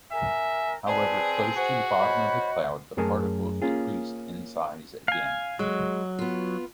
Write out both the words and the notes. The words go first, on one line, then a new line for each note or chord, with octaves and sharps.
However, close to the bottom of the cloud, the particles decreased in size again.
A#4 E5 G#5
C4 G#4 B4 D5 A5
F#4 C5
C5 C#5 D#5 B5
F#2 A3 G#4 A#4 G#5 A5
A#3 C#4 F4 G#4
F5 G#5
F#3 G#3
B3 F4